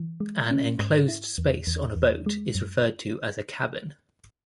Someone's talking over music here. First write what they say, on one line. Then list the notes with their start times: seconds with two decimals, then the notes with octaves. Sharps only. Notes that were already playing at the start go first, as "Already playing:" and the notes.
An enclosed space on a boat is referred to as a cabin.
Already playing: E3
0.20 G#3
0.51 C#4
0.79 G#2
1.08 E4
1.38 E2
1.67 E2
1.96 E2
2.26 G#3
2.55 F#2